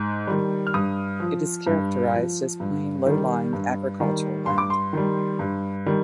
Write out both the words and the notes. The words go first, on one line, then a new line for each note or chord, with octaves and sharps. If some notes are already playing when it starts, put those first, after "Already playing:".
It is characterized as plain, low-lying agricultural land.
Already playing: G#2
D#3 G3
F6
G2 D#6
F3
G2
F3
G2
D#3 G3
G2
D#3 G3
G2 C6
D6
C6
D#3 G3
G2
D#3 G3